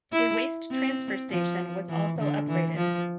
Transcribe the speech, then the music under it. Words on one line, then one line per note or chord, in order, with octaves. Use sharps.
A waste transfer station was also upgraded.
E4
C4
F3
E3
D3
E3
F3